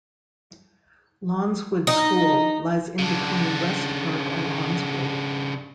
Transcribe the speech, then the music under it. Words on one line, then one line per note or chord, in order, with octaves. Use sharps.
Lawnswood School lies in between West Park and Lawnswood.
D#4
C#3 D4